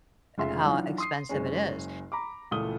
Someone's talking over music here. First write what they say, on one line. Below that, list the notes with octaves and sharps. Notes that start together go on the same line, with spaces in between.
how expensive it is.
F1 C#3 G#3 F4 E5 C6
E3 F#3 D4 D#4 F4
C6 D#6 C7
F#1 G#3 C#4
A#5 B5 D6
C#2 A#2 E3 A3 D#6 G7